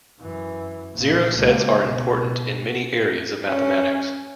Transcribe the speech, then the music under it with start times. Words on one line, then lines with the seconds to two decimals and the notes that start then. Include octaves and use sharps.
Zero sets are important in many areas of mathematics.
0.20 F#2 E3
0.95 A#1 A#2
1.35 C#2 A#3
1.81 B2
3.47 C#4